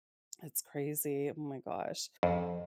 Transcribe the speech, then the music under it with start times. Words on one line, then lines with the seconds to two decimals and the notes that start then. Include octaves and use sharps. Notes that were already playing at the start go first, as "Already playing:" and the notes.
It's crazy. Oh my gosh.
2.23 F2